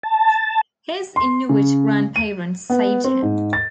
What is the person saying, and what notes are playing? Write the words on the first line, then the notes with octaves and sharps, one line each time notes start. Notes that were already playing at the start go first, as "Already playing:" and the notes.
His Inuit grandparents saved him.
A5
C6
C#3
D#7
B3
C4
G#2
A6